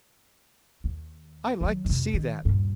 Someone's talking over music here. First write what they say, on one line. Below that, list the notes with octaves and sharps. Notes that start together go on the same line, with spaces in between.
I like to see that.
D#2
D#3 F#3
F2 C3
D#3
D#1 G2